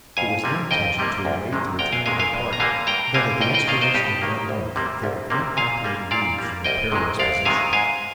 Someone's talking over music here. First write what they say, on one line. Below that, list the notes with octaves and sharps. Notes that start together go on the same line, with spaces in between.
It was their intention to await the return of their party; but, at the expiration of one month, they were quite happily relieved from their perilous position.
F2 F5 G#5
C3 G3 A#3
F2 D#5 G5
C3 G3 A#3
D2
C3 D#3 G#3
D2 G5 A#5
F5 G#5
C3 D#3 G#3 F5 G#5
F5 G#5
G2
A#5
D3 G3 A#3 F5 G#5
G2 G5 A#5
D3 G3 A#3 F5 G#5
G2 D#5 G5
D#5 G5
D#3 A#3 D5 F5
C5 D#5
G2 D#4 G4
D#3 A#3
C2
C3 G3 A#3
C2
C3 G3 A#3
A#2 F5 G#5
G3 A#3
A#2 D5 F5
G3 A#3
C2 D#5 G5
C3 D#3 G#3
C2 D5 F5
C3 D#3 G#3 F5 G#5
G#2 F5 G#5